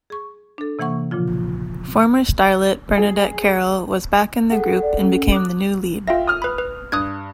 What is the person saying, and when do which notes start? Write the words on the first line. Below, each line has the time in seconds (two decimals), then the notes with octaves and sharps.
Former Starlet Bernadette Carroll was back in the group and became the new lead.
0.10 G#4 C#6
0.58 D4 A4
0.79 C3 E3 A#3 F#5 C#6
1.11 A#2 C#3 F3 F4
2.98 G#4
4.51 G#4 A4 F#5 G5
4.82 D5
5.01 C#4
5.32 D6 D#6 F#6
6.07 F4 E5 F5 G5 A#6
6.27 D#6 F6
6.42 B4 B5
6.58 B4
6.92 G2 D#6 F#6 G#6